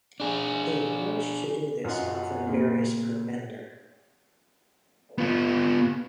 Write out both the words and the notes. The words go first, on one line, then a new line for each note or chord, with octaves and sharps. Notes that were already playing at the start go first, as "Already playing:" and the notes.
The approach to do this often varies per vendor.
D4 G#4
F#2 F4 D#5 F#5
A#2 C#3
B3 F4